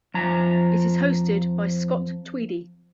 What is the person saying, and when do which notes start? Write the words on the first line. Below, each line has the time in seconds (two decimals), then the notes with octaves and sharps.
It is hosted by Scott Tweedie.
0.14 F2 A#5